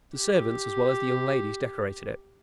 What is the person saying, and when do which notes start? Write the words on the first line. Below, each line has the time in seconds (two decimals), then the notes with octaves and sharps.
The servants, as well as the young ladies, decorated it.
0.16 G4